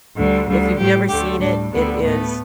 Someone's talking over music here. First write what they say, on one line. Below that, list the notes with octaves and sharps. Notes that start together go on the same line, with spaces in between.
if you've never seen it, it is
D2 D3 G3
D2 D3 G3
A2 G3 G4
D2 D3 A3 G4
A2 G3 D4
D2 D3 G3 B3
A2 A3 B3